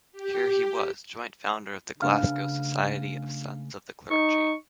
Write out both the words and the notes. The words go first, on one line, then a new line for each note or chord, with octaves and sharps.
Here he was joint founder of the Glasgow Society of Sons of the Clergy.
G4
C#3 A3 B3 D4 F5 F6
D#4 C#6